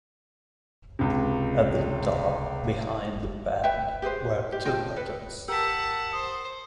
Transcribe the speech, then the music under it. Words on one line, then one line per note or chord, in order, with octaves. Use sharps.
At the top, "behind" the pad, were two buttons.
C#2 C3
B4 C#5 E5 G5
G4 G#4 B4 C5
G4
F4 D#5 G5 A5
A4 B4
G4 A#4 F#5 A5 E6 B6
C5 D#6